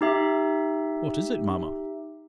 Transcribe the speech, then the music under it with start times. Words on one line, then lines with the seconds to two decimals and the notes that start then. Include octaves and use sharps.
"What is it, mama?"
0.01 D#4 G4 E5